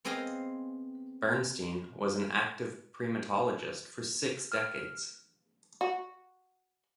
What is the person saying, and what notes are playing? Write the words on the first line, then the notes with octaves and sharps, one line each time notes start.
Bernstein was an active primatologist for six decades.
B3 C4 G#4 C5 D#5 F5
F6
F#4